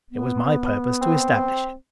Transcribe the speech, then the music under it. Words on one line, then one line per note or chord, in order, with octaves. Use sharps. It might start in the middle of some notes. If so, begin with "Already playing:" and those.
It was my purpose to establish it.
B3
C4